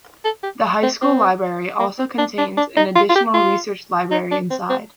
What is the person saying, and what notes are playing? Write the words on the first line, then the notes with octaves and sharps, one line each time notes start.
The high school library also contains an additional research library inside.
A4
G4
C4
C4
A#3
C4
D4
D4
D4
D#4
F4
F4
G4
F4
D#4
D4
C4
C4